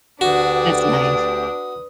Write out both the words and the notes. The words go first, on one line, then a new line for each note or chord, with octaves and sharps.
That's nice.
D2 D3 D4 F#4 G4 B4 D#6